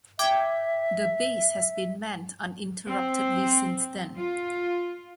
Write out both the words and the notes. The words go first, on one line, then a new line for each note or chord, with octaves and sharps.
The base has been manned uninterruptedly since then.
E5 G5 D6 G#6
C4
F4